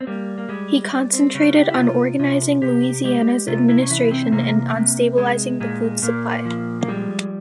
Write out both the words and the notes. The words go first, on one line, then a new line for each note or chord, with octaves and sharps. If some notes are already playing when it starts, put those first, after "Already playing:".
He concentrated on organizing Louisiana's administration and on stabilizing the food supply.
C4
G3 A#3
A#3
G3 G#3
G3
C4
C#3 C#4
G4
E4
C3 F4
C3 F4
C3 G4
G#3 G4
C3 F4
E4
C#4
E3 E4
C4
C3 A#3
C3
G#3
A#2 G#3
A#2 A#3
F3
A#3
G3 G#3